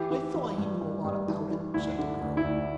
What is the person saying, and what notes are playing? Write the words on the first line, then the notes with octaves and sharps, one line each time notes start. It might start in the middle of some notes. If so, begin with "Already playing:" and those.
"I thought he knew a lot about it," said the girl.
Already playing: E3 G4
E3
E3
G2
G2
G2
E3
E3
D2 E4
D3
D2
E4
D2